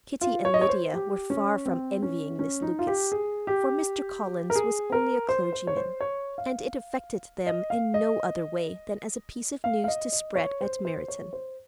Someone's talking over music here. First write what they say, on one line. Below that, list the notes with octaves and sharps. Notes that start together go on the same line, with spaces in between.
Kitty and Lydia were far from envying Miss Lucas, for Mr. Collins was only a clergyman; and it affected them in no other way than as a piece of news to spread at Meryton.
F4
C#5
D#5
C#5
C5
G4
C#4
C4
C#4
C#4
D#4
F4
G4
G#4
G4
A#4
G#4
A#4
C5
C5
C#5
C5
C#5
F5
D#5
F5
D#5
F5
F5
D#5
D#5
C#5
C5
C5
C#5
C5